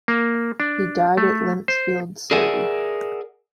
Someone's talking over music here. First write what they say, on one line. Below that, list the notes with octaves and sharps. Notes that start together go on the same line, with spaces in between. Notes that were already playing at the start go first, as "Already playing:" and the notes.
He died at Limpsfield, Surrey.
A#3
D4
A3
C5
G#4 A#4 D5 E5 F#5 G#5